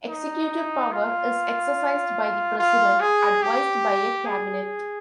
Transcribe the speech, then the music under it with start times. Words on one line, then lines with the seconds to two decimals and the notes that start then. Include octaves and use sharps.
Executive power is exercised by the President, advised by a cabinet.
0.08 D#4
0.92 F4
2.59 F4
3.01 G#4
3.43 G4
4.26 G#4